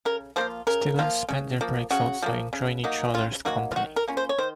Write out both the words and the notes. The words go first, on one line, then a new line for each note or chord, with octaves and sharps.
Student spend their breaks outside enjoying each others company.
C#3 A#4
F3 A#3 F4 C5
C#3 A#4
F3 A#3 F4
C#3
F3 A#3
C#3 F#4
F3 A#3
C#3
F#3 A#3 D#4
C#3 F4
F#3 A#3 D#4 F#4
F4
D#3 F#4
A#4
A#3 C#4 F4
C5
C#5
D#3 C5